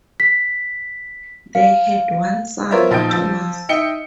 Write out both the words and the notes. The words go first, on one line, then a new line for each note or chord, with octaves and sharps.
They had one son, Thomas.
B6
F5
B3 F4 A#4 C5 C#5 E5
A#1 F3 D#4 G5 G6 D7
F3 E6
D#4 D#5 E5 G5 C#7 G7